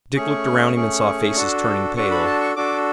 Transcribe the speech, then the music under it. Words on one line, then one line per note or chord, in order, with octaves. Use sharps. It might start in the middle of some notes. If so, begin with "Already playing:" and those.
Dick looked around him and saw faces turning pale.
A3 C#4 G#4 C#6
A3 C#4 G#4
D4 F#4 A4
D4 F#4 A4 C#6
B5
A5
C#6
D4 F#4 A4 D6